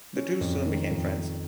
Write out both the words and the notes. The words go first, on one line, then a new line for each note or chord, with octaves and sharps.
The two soon became friends.
C#4
F2
D#3
F2
F2